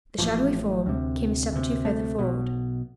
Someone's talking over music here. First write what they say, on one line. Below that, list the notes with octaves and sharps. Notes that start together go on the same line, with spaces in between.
The shadowy form came a step or two further forward.
A1 A2 F3
D2 C3
D2 C3
A3
B1 B2